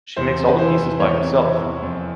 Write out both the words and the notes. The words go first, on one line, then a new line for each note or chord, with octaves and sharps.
She makes all the pieces by herself.
E2 C5
C3
B4
E3 C5
E2
E2 C#5
C3
E3
E2
F2